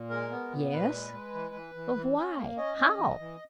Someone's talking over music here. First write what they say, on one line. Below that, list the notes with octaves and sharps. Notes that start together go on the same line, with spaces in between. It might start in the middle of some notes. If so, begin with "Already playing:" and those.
"Yes, but why--how?"
Already playing: A#2
G#3 A#4
B3
A#2
A#2 B4
G#3
G#3
E3
E3
E3
E3
C#4
A#3
C#4 D#5
C#4
E3
E3